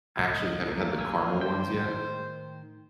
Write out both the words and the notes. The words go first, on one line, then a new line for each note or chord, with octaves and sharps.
Actually, have you had the caramel ones yet?
C#2 A2 G3 D#5
A3 A#3
A1 G#4 G#5 E6
D#3 C5 G5
A2